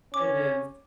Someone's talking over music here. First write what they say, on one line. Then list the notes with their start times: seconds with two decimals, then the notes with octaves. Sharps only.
It is.
0.14 C#4 D6